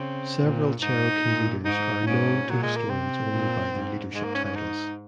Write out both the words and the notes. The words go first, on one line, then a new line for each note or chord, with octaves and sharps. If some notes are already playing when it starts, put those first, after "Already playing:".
Several Cherokee leaders are known to historians only by their leadership titles.
Already playing: C#3 C4
A#2
G#2 D#4
A#2
G#2 D#4
G#2 C#4
A#2 F#3
G#3
A#3
C3 C4
A#2
G#2
G#2 G#3
A#3
C#4
C#4
D#4